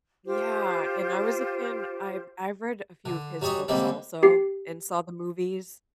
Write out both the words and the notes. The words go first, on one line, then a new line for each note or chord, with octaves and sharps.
Yeah, and I was a fan. I've I've read a few of his books also and saw the movies
F4 G4 C5
D3
F#3 G3 C#5 D#5 G#5
D3 G3 G#3 A#3 C4
G4 C7